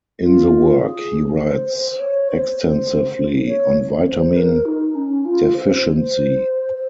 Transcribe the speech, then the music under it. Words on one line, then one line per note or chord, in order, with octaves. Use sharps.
In the work, he writes extensively on vitamin deficiency.
F4
G#4
C5
C5
C#5
C5
C5
C#5
C5
A#4
D#4
C#4
F4
C5
C5
C5
C5